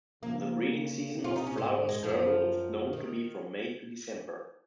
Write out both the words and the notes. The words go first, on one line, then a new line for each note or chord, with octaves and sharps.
The breeding season of Flower's gerbil is known to be from May to December.
C#3 F3 A#3
C#3
C3
F4
D#4
C#4
G#2 C4
G#3
F#2 F3
D#3